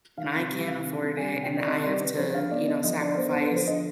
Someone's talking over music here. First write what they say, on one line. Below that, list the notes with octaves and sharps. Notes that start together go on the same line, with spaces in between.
and I can't afford it, and I have to, you know, sacrifice
D#3 F5
C3
G3
C3 F5
D#3
C3
G3 G#5
C3
G5
D#3
D5
C3 D#5
G3 D5
C3 B4
F3 C5
D3 F5
B3 D5
D3 D#5
F3 D#5
D3 D5
B3 C5
D3 C5
B4
F3 C5
D3 D#5